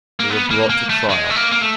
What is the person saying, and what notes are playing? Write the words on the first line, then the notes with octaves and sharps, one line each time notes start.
They were brought to trial.
A#3
B3
A#3
A#3
A3
G#3
A3
A#3
A#3
A3